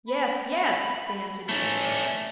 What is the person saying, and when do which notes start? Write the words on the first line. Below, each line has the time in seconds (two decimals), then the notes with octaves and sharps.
"Yes, yes," they answered eagerly.
0.08 B5
1.49 A3 C#4 D#4
1.85 D5